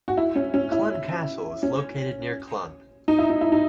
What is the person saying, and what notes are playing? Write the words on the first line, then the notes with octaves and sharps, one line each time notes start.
Clun Castle is located near Clun.
F#4
E4
C#4
C#4
E4
C#4
D#4
E4
D#4
E4
D#4